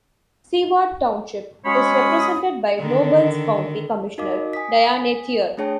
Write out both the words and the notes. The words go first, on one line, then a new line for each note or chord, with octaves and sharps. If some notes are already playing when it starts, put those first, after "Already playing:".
Seward Township is represented by Nobles County Commissioner Diane Thier.
F#3 G#3 C#4 C#5 B5 D#6
D3 D#3
D#4 F#4 A#4 D#5 F5 D6
G#5 D#6 B6
A3 D4 G#4 C#5 G5 A5